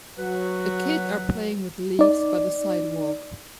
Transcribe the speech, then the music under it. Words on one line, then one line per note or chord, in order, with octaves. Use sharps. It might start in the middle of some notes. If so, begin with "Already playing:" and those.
A kid are playing with leaves by the sidewalk.
F#3 F#4 B4
D#4 D5